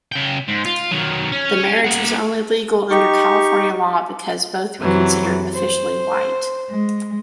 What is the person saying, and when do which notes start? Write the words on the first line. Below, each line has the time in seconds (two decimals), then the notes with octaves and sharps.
The marriage was only legal under California law because both were considered officially white.
0.12 C#3 G5
0.48 G#2
0.65 F4
0.91 D#3 F#3
1.32 C#4
1.84 A#3 F#5
2.91 D#4 G4 C#6
4.80 F#2 C3 E3 F#3
5.55 C5
6.69 G#3